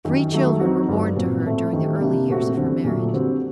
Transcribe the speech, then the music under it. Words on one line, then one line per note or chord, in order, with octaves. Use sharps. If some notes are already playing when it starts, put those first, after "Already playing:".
Three children were born to her during the early years of her marriage.
F#2 D#3 F#3
D#3 F#3 A3
F#3 C4 D#4 F#4
G2 D3 F#3
A#2 F#3 C4
A2 A3 C4
F#2 D#3 A3 D#4 G4
C3 G3 A#3 D4 G4
A#2 A3 C4 F#4
F#2 D3 G3 C4
A#2 F#3 A3
D3 G3 C4 F#4